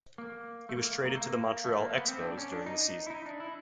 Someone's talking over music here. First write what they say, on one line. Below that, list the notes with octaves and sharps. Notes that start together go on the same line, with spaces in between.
He was traded to the Montreal Expos during the season.
A#3
A3
A#3
A#3
A3
A#3
A3
A#3
B3
C4
D4
C#4
D4
D#4
E4
D#4
D4
E4